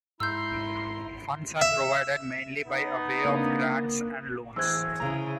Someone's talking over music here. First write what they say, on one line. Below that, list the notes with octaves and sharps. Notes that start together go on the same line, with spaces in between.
Funds are provided mainly by a way of Grants and Loans.
G#2 E4 A#5 C6 E6 G6
E5
B3 D#4
C#3 A#3 C4 D4
A1 G#4 C5 E6 F#6 G#6
C#3 E4 A#5